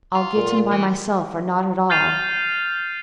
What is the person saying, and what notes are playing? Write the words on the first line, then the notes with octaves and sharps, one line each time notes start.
I'll get him by myself or not at all.
F4
A#2
E3
F6 G6 A6 C7 D#7 F7